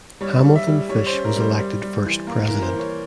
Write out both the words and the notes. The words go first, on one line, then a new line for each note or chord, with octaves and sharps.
Hamilton Fish was elected first president.
G3 C#5
G3
E5
G3
G3 C#5
C5
C#4
A#4
G3
C5
G3
G3
E3
A#3 A#4
A#4
E3
A#4
C5
E3
C#5